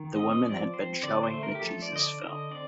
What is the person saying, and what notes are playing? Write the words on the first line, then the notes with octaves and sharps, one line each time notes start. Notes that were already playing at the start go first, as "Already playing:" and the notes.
The women had been showing the Jesus film.
Already playing: D#3
C4 D#5
F3 D5
C4 C5
D3 D5
C5
A3
A#4
G4
F3 A4
D5
D3 D#5
D5
D3 D#5
C4 D5